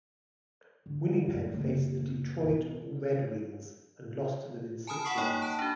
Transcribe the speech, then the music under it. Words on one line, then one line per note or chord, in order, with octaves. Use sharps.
Winnipeg faced the Detroit Red Wings and lost to them in six games.
D3
F#2
F#1
B2
G#5 A5 B5 D#6 F6
F#5 B5 C#6 D#6 C7
A#3 D#4 C#5 G5
A5
D4 F#4